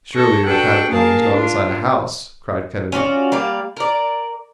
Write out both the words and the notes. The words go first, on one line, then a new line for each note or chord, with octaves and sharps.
"Surely your catacomb is not inside a house!" cried Kennedy.
A4 C#6 A#6
D4 F#4 A4 B4 F#5 G5
A#3 G#4 A#4 F5 A5
D4 F4
C#4 F4 F#4 D5
G3 A#3 D5 F5
A#4 D5